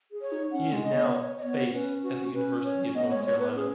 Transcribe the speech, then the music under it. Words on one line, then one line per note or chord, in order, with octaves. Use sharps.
He is now based at the University of North Carolina.
G#4
C#5
D#4
C#4 F#5
G#3
D#5
B3
C#5
D#5
B3 C#5
C#4 B4
F#4
C#4 B4
C#5
B3 D#5
C#5
G#3
C#5
B3 B4
C#4 G#4